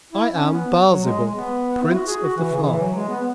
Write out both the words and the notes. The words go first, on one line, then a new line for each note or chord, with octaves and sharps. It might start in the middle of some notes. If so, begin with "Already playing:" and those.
I am Baal-Zebub, Prince of the Fly.
E4
C#4
B3
F#3
G#3
G#3
B3
E4
F#4
G#4
F#4
E3
C#3
E3
F#3
G#3
B3